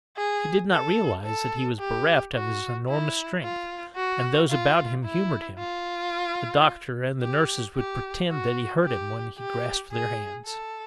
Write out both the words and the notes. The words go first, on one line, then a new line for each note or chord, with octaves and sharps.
He did not realize that he was bereft of his enormous strength, and those about him humored him: the doctor and the nurses would pretend that he hurt them when he grasped their hands.
G#4
A4
A4
G4
F#4
E4
F4
F#4
F4
E4
F4
G4
G4
F#4
G4
G4
G#4
A4